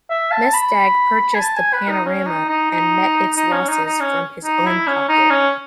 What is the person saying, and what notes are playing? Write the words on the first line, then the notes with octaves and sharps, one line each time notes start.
Mesdag purchased the panorama and met its losses from his own pocket.
E5
A5
B5
G#5
A5
G#5
B4
D#4
C#4
D#4
D#4
D#4
D#4
C#4
D#4
D#4
C#4
D#4
E4
C#4
D#4
C#4